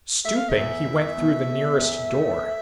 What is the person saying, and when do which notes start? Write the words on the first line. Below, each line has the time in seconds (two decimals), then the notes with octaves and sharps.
Stooping, he went through the nearest door.
0.24 A3 E5
0.37 F5
0.49 E5
0.56 E2
0.87 E4
1.17 B2
1.48 A3
1.78 E2
2.10 A3